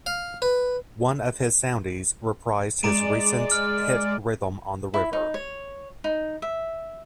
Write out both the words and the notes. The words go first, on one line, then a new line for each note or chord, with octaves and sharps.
One of his Soundies reprised his recent hit Rhythm on the River.
F5
B4
G#3 D5 A#5 D7 D#7
F6
E4
D#4
C#5
D#4
E5